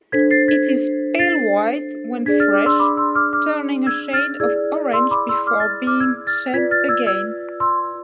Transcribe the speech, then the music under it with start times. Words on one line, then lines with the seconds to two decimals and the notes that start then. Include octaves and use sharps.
It is pale-white when fresh, turning a shade of orange before being shed again.
0.12 D4 A4 C5 G#6 B6
0.31 A6 C7
0.48 G#6 B6
1.19 A6 C7
2.26 D4 G#4 D5 G#6 B6
2.40 F6 A6
2.53 D6 F6
2.66 C6 E6
2.79 B5 D6
2.97 C6 E6
3.15 D6 F6
3.33 D6 F6
3.86 E6 G#6
4.13 F6 A6
4.40 E4 G#4 D5 E6 G#6
4.93 C6 E6
5.11 B5 D6
5.29 C6 E6
5.47 D6 F6
5.60 F6 A6
5.87 D6 F6
6.00 E6 G#6
6.27 F6 A6
6.54 F4 B4 D5 G#6 B6
6.71 F6 A6
6.89 E6 G#6
7.07 E6 G#6
7.60 C6 E6